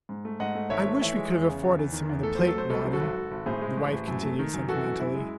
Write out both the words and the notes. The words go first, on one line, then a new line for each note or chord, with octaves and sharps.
"I wish we could have afforded some of the plate, Rawdon," the wife continued sentimentally.
G#2
A3
G#2 D#5 F#5
A3
G#1 C#5 E5
A3
E3 C#5 E5
G#3
E2
C#3
E2
E2
D#3
E2
A3 A4
F#3 C5
A4
A3 C5
C2 A4
F#3 C5
F#4 A4
G#1
G#1
G#1
A2 G#4 C5
G#3
A1
A1
F#2
A3
D#3
F#2
E3 F#4 A4
F#2
F#2 E4
G#3